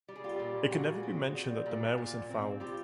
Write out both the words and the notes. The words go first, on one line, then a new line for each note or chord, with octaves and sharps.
It could never be mentioned that the mare was in foal.
G3
G#4
F4 G4
A#2
A#2 F#4 G#4
C4
G3
A#2
A#2
C4
G3 F4 G4